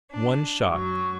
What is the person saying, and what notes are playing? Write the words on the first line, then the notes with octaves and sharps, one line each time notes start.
One shot!
D4
F#2 F#3 C#6